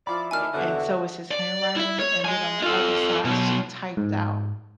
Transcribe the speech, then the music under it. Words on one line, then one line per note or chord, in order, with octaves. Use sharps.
a and so it's his handwriting, and then on the other side she typed out
F3 E4 D5 B5
D2 D#3 D4 G#5 F6
E2 B2 D3 F#4 E5 F#6
D5
E4 E5
C#5
D#5 G#5
F4 A4
B2 F#3
G#2